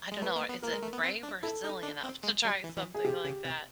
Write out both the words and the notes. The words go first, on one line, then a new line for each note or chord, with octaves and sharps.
I don't know, is it brave or silly enough to try something like that?
G#3
A3 B4
A#3
B3
A#3 A#4
G#3
A3
B3
C4
D4
E4 A4
D#4
D4
C4
G#3
G3
E3
E3
G#4
C3 G4
C#3
C3